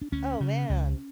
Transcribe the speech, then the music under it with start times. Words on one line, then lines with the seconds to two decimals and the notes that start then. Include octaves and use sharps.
Oh, man.
0.01 D4
0.12 D2 C#4
0.40 C#3
0.69 C#2